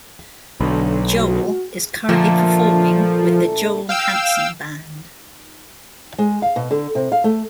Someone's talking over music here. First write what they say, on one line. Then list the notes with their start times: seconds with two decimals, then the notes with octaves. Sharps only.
Joel is currently performing with The Joel Hanson Band.
0.60 B1 D3
1.17 F#4
2.09 A#2 D3 F3 A3
3.89 F5 G5 E6
6.18 G#3
6.42 F5
6.56 B2
6.71 D3
6.95 C3
7.12 F5
7.24 A3